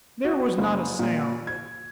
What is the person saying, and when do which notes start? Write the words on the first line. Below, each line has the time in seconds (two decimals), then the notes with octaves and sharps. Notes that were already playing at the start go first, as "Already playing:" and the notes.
There was not a sound.
0.25 F#4
0.58 F#1
0.99 A#2
1.47 G#6